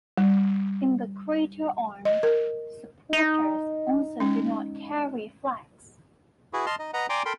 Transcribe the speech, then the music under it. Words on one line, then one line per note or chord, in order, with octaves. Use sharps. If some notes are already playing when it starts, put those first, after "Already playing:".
In the greater arms, the supporters also do not carry flags.
G3
D#5
A#4
D#4
G#3 C#4
E4 F#4 G#4 B4
D#5 A5 C6 F6
D#4 D#5
B4 D#5 F#5 A#5
D5 G5 G#5 A#5 C6 D6
A4 A#4 G5 B5 C6